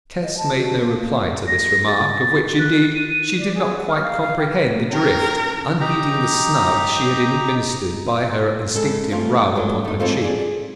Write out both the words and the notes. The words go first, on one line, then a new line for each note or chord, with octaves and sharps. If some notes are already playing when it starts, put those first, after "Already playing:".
Tess made no reply to this remark, of which, indeed, she did not quite comprehend the drift, unheeding the snub she had administered by her instinctive rub upon her cheek.
D#5
A5
F#4
A#3
A#3
A#6
A6
F#6
D#7
D5
G#4
F#5
F6
F5
F5
G5
B4
C#4 G4 A#4
D#4 G4 A#5
C#3 G#3 A4
E3 G3 A3 C4 F4
G#2 F#3 A3
A3 D#4
G#2 E3 C4 D#4 F4 A4
G#4 D5